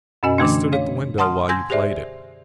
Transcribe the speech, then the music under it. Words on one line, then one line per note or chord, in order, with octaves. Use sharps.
I stood at the window while you played it.
F#2 B2 C#4 F#4 D#5 G#5
D3 E3 A3 D4
C#5 F5
F#5 A5 C6 D#6 F6
G#5 C6 E6 G6 G#6 A#6
G4 G#4 C5 D5 E5